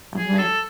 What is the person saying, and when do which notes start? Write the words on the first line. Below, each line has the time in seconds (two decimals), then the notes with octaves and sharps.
I'm like,
0.18 G#4
0.38 A4